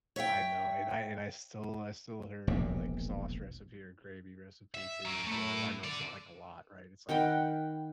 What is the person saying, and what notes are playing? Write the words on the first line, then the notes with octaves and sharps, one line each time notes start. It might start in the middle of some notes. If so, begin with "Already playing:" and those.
I know. And I and I stole I stole her, uh, like, sauce recipe or gravy recipe, too, as well. I know it's not, like, a lot, right? It's like
C#5 E5 F5 G5
E1 A#1 C3
E5
C#4 A#4
A3 E4
A4 D5
D#3 F#5 G5 B5